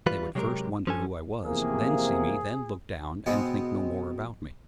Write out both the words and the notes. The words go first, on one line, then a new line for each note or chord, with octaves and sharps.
They would first wonder who I was, then see me, then look down, and think no more about me.
E3 G3 F4 B4
C3 F#3 G#3 F#4 G4 A#4
F3 C#4 A4 G#5
E2 C3 F3 A#3 G#4
B2 G#3 B3 C4